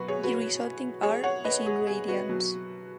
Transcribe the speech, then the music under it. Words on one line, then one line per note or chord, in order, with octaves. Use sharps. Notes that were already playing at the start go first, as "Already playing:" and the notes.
The Resulting "R" is in radians.
Already playing: B2 F#3 F#4 B4
G#4 C#5
F#4 B4
G#4 C#5
C#5 F#5
B4 D#5
G#4
G#4
F#4 B4
B2 F#3